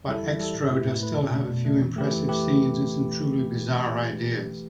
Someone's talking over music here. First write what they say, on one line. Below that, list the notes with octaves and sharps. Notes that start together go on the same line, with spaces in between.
But Xtro does still have a few impressive scenes and some truly bizarre ideas.
G3 E4 A4
E3
G3 E4 A4
A2
A3 E4 B4
A2
A3 E4 B4
B2
A3 D4
B2
A3 D4
E3
A3 G4 B4
E3
A3 G4 B4